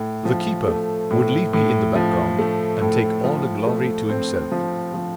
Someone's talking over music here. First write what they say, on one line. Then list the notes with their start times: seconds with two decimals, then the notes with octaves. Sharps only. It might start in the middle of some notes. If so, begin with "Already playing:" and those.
The keeper would leave me in the background, and take all the glory to himself.
Already playing: A2
0.25 F3
0.68 A3
1.11 A2
1.53 A2
1.95 F3
2.39 A3
2.81 A2
3.24 F3
3.67 A3
4.09 C4
4.52 F3
4.94 F3